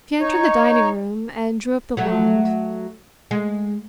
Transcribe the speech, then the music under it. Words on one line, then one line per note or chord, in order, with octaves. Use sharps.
She entered the dining-room and drew up the blind.
D#4 C#5
F#3 A3
G#3